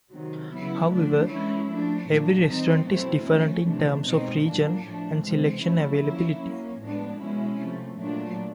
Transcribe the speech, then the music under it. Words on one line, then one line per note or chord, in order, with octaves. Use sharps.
However, every restaurant is different in terms of region and selection availability.
C3 D#3 F#3
C#3 F#3 B3 E4
D3 F3 A3 D4
E3 G#3 C#4 E4
F3 A3 D4
A#2 F3 A3 D4
E3 G3 C4 D#4
B2 F#3 A3 C4 E4
F3 A3 C#4
C3 E3 A3 D4
B2 G#3 C4 D#4
A#2 F#3 A#3 D4
A2 F3 A3 D4
C3 E3 G#3 C4
F#3 A3 C#4 E4
F3 A#3 C#4 E4
F#3 A#3 C#4
A2 F3 G#3 B3 D4
B2 G#3 C#4 E4
C3 F3 A3
A#2 F#3 A3 D4